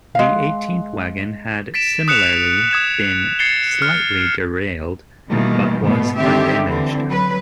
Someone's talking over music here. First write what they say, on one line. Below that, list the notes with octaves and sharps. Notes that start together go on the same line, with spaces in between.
The eighteenth wagon had similarly been slightly derailed but was undamaged.
G#3 F5
A6 B6 D7 E7
D#6 F#6 C#7 E7 F7
D#6 G#6 E7
G#6 A6 C7 C#7 G7
F6
B2 D#3 E3 G3 A3 A#3
G#2 B2 A3 B3
D3 D#3 G#3 C4 G4 E5
D3 E3 C4
F#3 B4